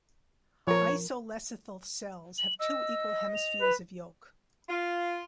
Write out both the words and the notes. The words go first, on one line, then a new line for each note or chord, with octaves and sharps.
Isolecithal cells have two equal hemispheres of yolk.
F3 A#4 C#5
F#7
D#5 E6
F7
B4
F4